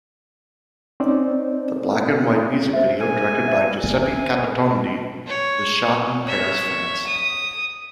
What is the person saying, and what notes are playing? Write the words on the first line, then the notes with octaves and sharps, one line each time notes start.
The black-and-white music video, directed by Giuseppe Capotondi, was shot in Paris, France.
C4 C#4 D#4 C5 D5
C5 E5
G#5
E5
C#5
C#5 E5
D#6